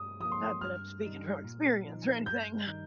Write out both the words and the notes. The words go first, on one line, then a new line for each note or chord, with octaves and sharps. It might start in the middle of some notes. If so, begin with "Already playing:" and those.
Not that I'm speaking from experience or anything.
Already playing: G2 D#6
F3 A#3 D#6
C6
D#6
G2 F6
G3 D#4
A#2
F3 D#4
G2 G6
D#3 G3 D#4